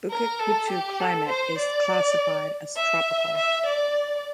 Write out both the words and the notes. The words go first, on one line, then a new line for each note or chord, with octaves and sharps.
Bukit Kutu climate is classified as tropical.
A#4
A4
G4
A4
C5
D5
E5
E5
D5